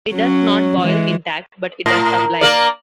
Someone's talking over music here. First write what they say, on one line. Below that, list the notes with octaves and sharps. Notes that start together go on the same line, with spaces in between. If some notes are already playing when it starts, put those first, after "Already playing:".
It does not boil intact, but it does sublime.
F#3 C#4
E3 G#3
A2
A#3 A#4 D5